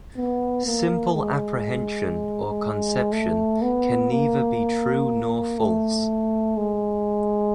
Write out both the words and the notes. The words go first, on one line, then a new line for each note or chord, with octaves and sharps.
Simple apprehension or conception can neither be true nor false.
B3
A#3
G#3
A3
B3
A#3
A3
G#3